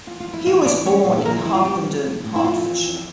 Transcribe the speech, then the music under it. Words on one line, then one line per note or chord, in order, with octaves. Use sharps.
He was born in Harpenden, Hertfordshire.
E2 F4
F4
F3
E4
E3 F4
C#5
E3 D4 D5
A3 C#4 C#5
A#2 F4
G4
A4
E3 A#3 A#4
F4
G3 E4
F4
C#3 G3 G4
F3
A2
A2
E4
F2 F4
E3
F2